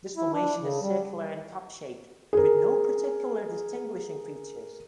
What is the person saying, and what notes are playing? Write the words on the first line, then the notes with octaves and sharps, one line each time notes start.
This formation is circular and cup-shaped, with no particular distinguishing features.
E4
D4
C#3
G3
G#4 A#4